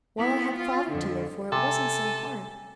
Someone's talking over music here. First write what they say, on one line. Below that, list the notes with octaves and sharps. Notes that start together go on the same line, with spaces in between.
While I had Father to live for it wasn't so hard.
B3 E4
F4
F2 D3
C3 A4 G#5